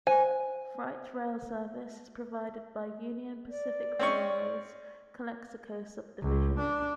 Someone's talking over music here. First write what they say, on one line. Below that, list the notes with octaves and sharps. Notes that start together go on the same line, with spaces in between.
Freight rail service is provided by Union Pacific Railroad's Calexico Subdivision.
C5 G#5
D5
C4 C#4 C#6
C#2
D4